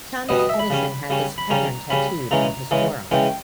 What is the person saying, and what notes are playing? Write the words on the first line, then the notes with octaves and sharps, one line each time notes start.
Thomas Edison had this pattern tattooed on his forearm.
B2 G3 B3 D#5
D#5
E5
B5
C#3 G3 C#4
C#3 G3 C#4
B5
C#3 G3 C#4 A#5
C#3 G3 C#4 B5
C#3 E3 G#3 C#4 A#5
C#3 E3 G#3 C#4
C#3 E3 G#3 C#4 G5